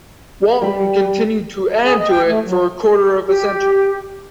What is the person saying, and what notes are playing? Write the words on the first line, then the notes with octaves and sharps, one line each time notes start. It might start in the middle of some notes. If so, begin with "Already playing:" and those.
Walton continued to add to it for a quarter of a century.
G3 B5
G#4
D#5
G5
A3
F#3
G4